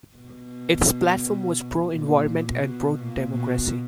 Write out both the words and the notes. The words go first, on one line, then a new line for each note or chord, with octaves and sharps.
Its platform was pro-environment and pro-democracy.
B2
A#2
B2
A#2
B2